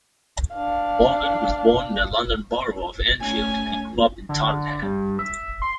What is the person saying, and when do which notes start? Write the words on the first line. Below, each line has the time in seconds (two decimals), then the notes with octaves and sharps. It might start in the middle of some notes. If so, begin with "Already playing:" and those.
Morgan was born in the London Borough of Enfield and grew up in Tottenham.
0.54 D4 F5
3.21 A3 C#4 G#5
4.29 D3
4.82 G2
5.19 E5
5.62 C6